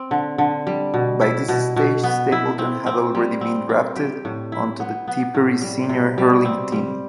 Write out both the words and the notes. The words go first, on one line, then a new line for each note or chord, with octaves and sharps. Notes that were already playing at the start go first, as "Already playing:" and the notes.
By this stage Stapleton had already been drafted onto the Tipperary senior hurling team.
Already playing: C4
D3
D3
G3
B2
E4
B2
B2
B3
E4
C4
C4
G3
C4
C4
G4
A2
E4
B3
B3
A2
G3
C3
G3
C4
G3